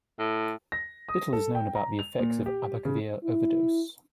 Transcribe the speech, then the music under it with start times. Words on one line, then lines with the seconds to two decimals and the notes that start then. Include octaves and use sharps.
Little is known about the effects of Abacavir overdose.
0.19 A2
0.72 A#6
1.09 D#6
1.33 A4
1.55 G5
1.75 A#5
1.99 F7
2.19 A#2
2.46 G4
2.85 C#3
3.23 E4